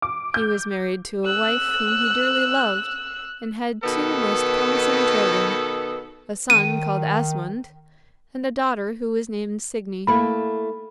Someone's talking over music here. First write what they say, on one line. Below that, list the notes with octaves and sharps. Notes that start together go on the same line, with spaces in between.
He was married to a wife whom he dearly loved, and had two most promising children--a son called Asmund, and a daughter who was named Signy.
D6
G6
E6 F#6
B2 D#3 B3 A4
D#3 D#7
A3 A#3 E4 B5